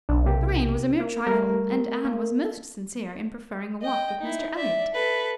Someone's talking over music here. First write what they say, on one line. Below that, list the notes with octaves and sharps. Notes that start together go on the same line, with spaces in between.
The rain was a mere trifle, and Anne was most sincere in preferring a walk with Mr Elliot.
B1 D4
C3 A#3 G4
A#3
G3 A3 A#4
A#3
D#5 G5
D#4 E4
D5 E5
A4 B4